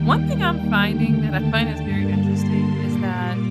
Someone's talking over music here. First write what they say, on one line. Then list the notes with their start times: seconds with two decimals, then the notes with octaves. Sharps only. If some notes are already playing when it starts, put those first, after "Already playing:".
one thing I'm finding that I find is very interesting is that
Already playing: D#2 D#3 G3 A#3 G5
0.85 D#2 D3 A3 G5
1.34 A5
1.83 G2 D3 G3 A#3
2.32 C6
2.81 A#2 G3 A#3 D6